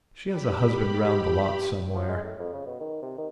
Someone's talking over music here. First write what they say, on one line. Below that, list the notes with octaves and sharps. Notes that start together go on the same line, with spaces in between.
She has a husband round the lot somewhere.
G4 B5
F3
G#3
A2
F2
C#3
B2
D#3
C3
D#3